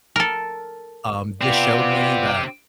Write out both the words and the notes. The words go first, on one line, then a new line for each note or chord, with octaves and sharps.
Um, just showed me that,
A4 A#4
B3 C4 F4 G4 D5